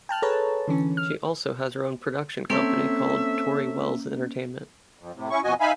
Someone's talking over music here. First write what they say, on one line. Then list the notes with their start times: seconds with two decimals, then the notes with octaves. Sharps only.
She also has her own production company called Tori Welles Entertainment.
0.09 G5 A5 F6 F#6
0.22 G#4 A4 B4 C#5 A5 A#5
0.68 D3 E3 C#4
0.97 F6
2.50 A#3 C4 C#4 A4 C#5 E5
4.99 F2
5.15 A2 C3
5.30 C#4 E4 C#6
5.44 F2 B2 F#4 D#5 G#5
5.60 D#4 E5 F5 G#5 B5